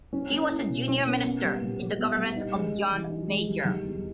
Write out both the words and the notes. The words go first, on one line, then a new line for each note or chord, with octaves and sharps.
He was a junior minister in the government of John Major.
C#4
A#3
E4
B2
C#4
A#3
B3
G3
A#2
A#2
B3
G3
D#4
G#3
G4
E3
D#4
G#3
G3
D#3
E2